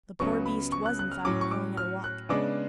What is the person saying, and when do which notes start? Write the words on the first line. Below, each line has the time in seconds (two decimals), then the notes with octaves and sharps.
The poor beast was, in fact, going at a walk.
0.20 C#2 C#3 F#3 B3 C#6
0.46 B5
0.72 C#6
0.86 F#6
0.99 F#6
1.12 F6
1.25 A2 F#3 C#4 D6
1.41 C#6
1.51 D6
1.77 F6
2.04 F#6
2.29 C#3 G#3 B3 D4 D6